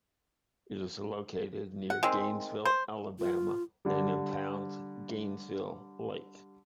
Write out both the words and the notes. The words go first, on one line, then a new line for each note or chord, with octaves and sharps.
It is located near Gainesville, Alabama, and impounds Gainesville Lake.
F#5
D#3 G#3 C4
C5
F4
D3 G3